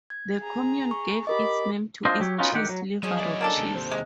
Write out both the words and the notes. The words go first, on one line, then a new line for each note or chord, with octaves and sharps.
The commune gave its name to its cheese; Livarot cheese.
G#6
G#4 A#5
C#6
G4 A#4 D#5 B5 D6
C4 D4 F4 C5 D#5
F#3 G4 C#5
B3 C#4 D#4 F4 F#4
D2 D#3 G4 C5 F#5
F#3
F3 F#3 G#3 C#4 D#4
E4 D5
A#3 D4 A4
D#2 C3 A5
C5
G#3 A#4